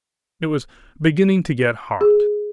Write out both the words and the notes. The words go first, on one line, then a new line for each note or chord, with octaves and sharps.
It was beginning to get hot.
G#4